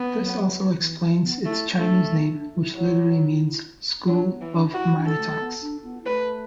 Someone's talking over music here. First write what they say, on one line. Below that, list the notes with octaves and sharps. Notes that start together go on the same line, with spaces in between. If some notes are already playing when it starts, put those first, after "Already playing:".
This also explains its Chinese name, which literally means "school of minor-talks".
Already playing: B3
F#3
E3
B3
A3 E4
A3 D4
B3
E4
D4
E4
F#3
F#3 D4
B3
E3
D4
E4 F#4
D4
A4
A3
B3
D4
B3
A3 B4